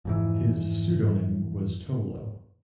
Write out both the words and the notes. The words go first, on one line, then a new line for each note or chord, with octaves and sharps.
His pseudonym was "Tolo".
F2 G#2 E3